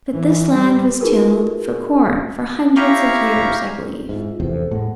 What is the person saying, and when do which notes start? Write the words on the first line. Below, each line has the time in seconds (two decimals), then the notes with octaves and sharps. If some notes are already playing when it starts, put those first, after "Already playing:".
But this land was tilled for corn, for hundreds of years, I believe.
0.12 E3
0.53 G3
1.01 D#4 F4 F#4 G#4 A#4 B4
2.76 E4 G4 F5 A#5 C#6
4.09 G#2 E4 F4 E5
4.40 F1 E2 C3 A4 C5
4.71 A2 G#3 A3 F#5